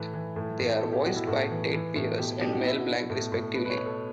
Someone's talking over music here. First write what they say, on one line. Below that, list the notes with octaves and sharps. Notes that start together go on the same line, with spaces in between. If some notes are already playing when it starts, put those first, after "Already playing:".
They are voiced by Tedd Pierce and Mel Blanc respectively.
Already playing: A2 E3 B4
E3
A2
A2
B2 A4
G4
B2 F#4
E4
A2 F#4
E3
E3
A2
B2 G4
B2 G4
F#4
B2 E4
F#4
B2
A2
A2
B2 B4
B4
C#5
B2
A4